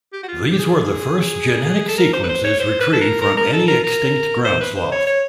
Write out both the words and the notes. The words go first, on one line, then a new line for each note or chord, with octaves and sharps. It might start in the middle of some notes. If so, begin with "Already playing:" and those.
These were the first genetic sequences retrieved from any extinct ground sloth.
G4
F#4
F4
G4
G#4
A4
A#4
C5
B4
C5
C#5
C5
B4
A4
A#4
A#4
A#4
A4
A#4
A#4
C5
B4
C5
C#5
C#5